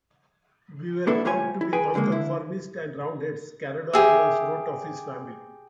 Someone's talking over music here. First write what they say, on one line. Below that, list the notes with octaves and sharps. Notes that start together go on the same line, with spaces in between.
"We were proud to be nonconformists and Roundheads", Caradon once wrote of his family.
A#3 D4 E4 F#4 A4 B4
C2 A3 F4 G4 C#5 G#5
E4
G#4 B4 G5 G#5
C#2 D3 E3 G#3 A#3
D3 E4
G4 G#4 E5